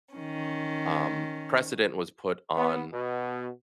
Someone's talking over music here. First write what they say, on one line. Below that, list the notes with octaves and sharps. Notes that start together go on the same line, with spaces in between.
um, precedent was put on,
D#3 C#4
B3
B2